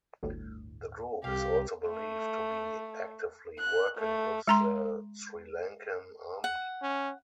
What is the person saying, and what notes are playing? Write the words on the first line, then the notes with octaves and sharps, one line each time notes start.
The group is also believed to be actively working with the Sri Lankan Army.
G1 D2 A2
C2 G4 F5
A3
F#6
A3
G#3 A#5 C6
F#5
C#4